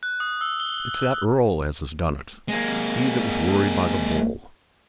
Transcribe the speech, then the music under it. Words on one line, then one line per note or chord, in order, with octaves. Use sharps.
It's that earl as has done it,--he that was worried by the bull.
F#6
D#6
E6
G7
G#3 A#3